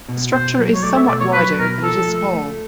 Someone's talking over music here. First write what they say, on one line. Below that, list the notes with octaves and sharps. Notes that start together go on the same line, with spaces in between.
The structure is somewhat wider than it is tall.
B2
B2 C5
F#3
C#5
A3 D5
E5
B2 D5
C#5
F#3 B4
B2 A#4
F3 A4
A3
A3